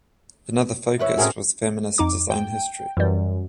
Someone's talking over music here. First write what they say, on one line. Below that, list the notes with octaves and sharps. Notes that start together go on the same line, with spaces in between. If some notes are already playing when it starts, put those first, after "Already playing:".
Another focus was feminist design history.
E2 B4 C#5 E5
A2 C4 C#4 F#4 G#4 A#4
F2 D#4 D6
G5
F#2 E3 G3